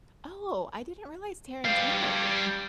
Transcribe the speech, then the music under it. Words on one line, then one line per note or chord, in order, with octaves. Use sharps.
Oh, I didn't realize Tarantino,
G3 F5